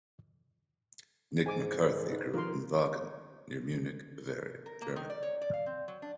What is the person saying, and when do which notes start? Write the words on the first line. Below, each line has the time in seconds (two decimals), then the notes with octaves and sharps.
Nick McCarthy grew up in Vagen near Munich, Bavaria, Germany.
1.46 G#2 G#5 D6
2.10 D#4 B4
2.34 D#3 F3 A#4 C6
4.66 A#4
4.82 A#3
4.96 D#3
5.10 D5
5.23 C#5
5.41 D5
5.53 F5
5.66 C4
5.88 F#3
6.02 D4